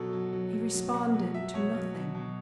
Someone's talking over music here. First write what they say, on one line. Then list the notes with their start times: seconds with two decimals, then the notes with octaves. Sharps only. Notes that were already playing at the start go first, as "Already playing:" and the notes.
He responded to nothing.
Already playing: B2 F#3 A4
0.13 F#3
0.33 F#3
0.53 F#3
0.74 F#3
0.93 B2 F#5
1.14 F#3
1.34 F#3 E5
1.54 B2 C#5
1.75 F#3
1.94 B2
2.15 B2